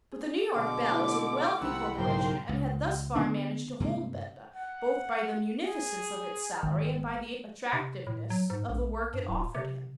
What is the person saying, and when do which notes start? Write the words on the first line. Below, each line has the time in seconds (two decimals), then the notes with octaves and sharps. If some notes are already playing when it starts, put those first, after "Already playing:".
But the New York Bell is a wealthy corporation and had thus far managed to hold Benda, both by the munificence of its salary and by the attractiveness of the work it offered him.
0.12 G#4
0.56 B2 D3 D6
0.91 A3 E4 D#5
1.61 C2 C4 F#5 B5 E6
1.96 B1 G#2 C#3 A#3 A#4 C5 G5 C6
2.49 C#2
3.16 D3 B3 D4
3.80 G2 C3 G#3 A#3
4.56 F#5
5.64 G#4
6.63 G#1
7.73 C3
8.07 A2
8.30 F#3
8.50 G#2
8.69 A#1
9.14 G2
9.28 D1
9.55 C3